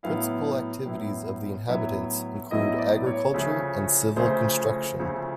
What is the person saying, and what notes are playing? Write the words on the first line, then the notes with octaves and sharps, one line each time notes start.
Principal activities of the inhabitants include agriculture and civil construction.
A2 F#3 B3 E4 F5
A2 F#3 B3 E4
A2 F#3 B3 E4 E5
A2 F#3 B3 E4 D#5
D5
C#5
D2 C#3 F3 A3
D2 C#3 F3 A3 C5
D2 C#3 F3 A3